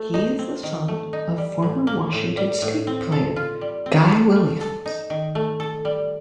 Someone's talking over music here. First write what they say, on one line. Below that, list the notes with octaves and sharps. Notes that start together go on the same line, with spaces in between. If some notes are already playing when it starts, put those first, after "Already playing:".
He is the son of former Washington State player Guy Williams.
Already playing: A3
D#4
C4
D#3
A3
D#4
G3
A2
A#3
A2
G3
A2
C4
A4
F4
G3
C4
A4
A3
A4
D#4
D#3
A3
A4
G3